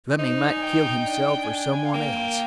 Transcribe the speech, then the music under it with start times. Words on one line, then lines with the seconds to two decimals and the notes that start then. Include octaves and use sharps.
Fleming might kill himself or some one else.
0.19 D#4 C5
0.30 C5
0.41 D5
0.52 G#5
0.63 G5
1.06 D4
1.44 G#5
1.50 G5
1.72 G#5
1.85 F5
1.93 A#3 G5